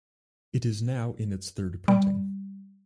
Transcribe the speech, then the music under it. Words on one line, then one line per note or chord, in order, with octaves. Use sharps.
It is now in its third printing.
G3